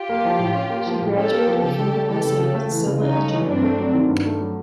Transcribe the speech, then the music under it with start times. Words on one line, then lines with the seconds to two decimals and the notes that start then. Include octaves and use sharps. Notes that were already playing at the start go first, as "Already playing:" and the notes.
She graduated from university as a Civil Engineer.
Already playing: F4 G4
0.09 A#3
0.25 F3
0.39 A2
0.55 C#4
0.70 A#3
0.86 F3
1.01 A2
1.17 C#4 G4 A4
1.32 A#3
1.47 F3
1.63 C#3 G4 A4
1.79 C#3
1.94 A3
2.09 E3 G4 A4
2.25 C#3
2.39 C#3
2.55 A3
2.71 E3
2.86 C#3
3.01 C#3 C#4 D#4
3.17 A3
3.32 E3
3.47 G2 C4 D4
3.63 A3
3.78 F#3
3.93 D#3
4.09 G2
4.25 A3
4.40 F#3